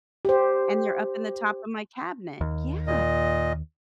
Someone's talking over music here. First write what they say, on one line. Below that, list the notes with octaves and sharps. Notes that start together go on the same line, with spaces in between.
and they're up in the top of my cabinet, yeah
G4 C5
D#2
A#2 D#5